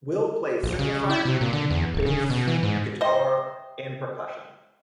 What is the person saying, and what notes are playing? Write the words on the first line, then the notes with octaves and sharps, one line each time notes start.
Will plays synthesizer, bass, guitar and percussion.
A#1
C#3
E4
C3
A#2
D3
E2
D1
C#3
B2
E3
G#2
C5 D#5 E5 G5